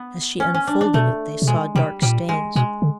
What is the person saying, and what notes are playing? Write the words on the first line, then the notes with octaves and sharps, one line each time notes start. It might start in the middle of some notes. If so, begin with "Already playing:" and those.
As she unfolded it they saw dark stains.
Already playing: B3
C#4
C#4
D4
D4
B2 A3
C3
B2 G#3
C3 G3
A#2 G3
G#3
B2 G#3
D3